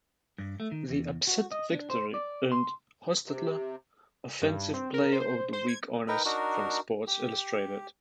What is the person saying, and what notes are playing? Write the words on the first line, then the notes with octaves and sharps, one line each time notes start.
The upset victory earned Hostetler Offensive Player of the Week honors from "Sports Illustrated".
G2
A3
D#3
E2
F#4
D#5
D4
C5
D5
C6
C3
G2
C4
A#4
C5
C5
G#6
D#4 A#4 B4 G5
D4 D#4 F#4 A#4
G4